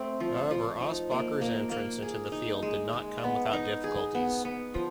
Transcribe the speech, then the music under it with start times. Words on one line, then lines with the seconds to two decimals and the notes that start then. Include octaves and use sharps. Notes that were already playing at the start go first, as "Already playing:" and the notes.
However, Aschbacher's entrance into the field did not come without difficulties.
Already playing: A3 C4
0.20 F3
0.51 F3
0.81 D#4
1.11 A#3
1.41 A#3
1.71 A#3
2.02 G#4
2.32 D#4
2.62 G#3
2.93 G#3
3.24 B3
3.53 D#4
3.84 G#4
4.15 B3
4.45 B3
4.74 F3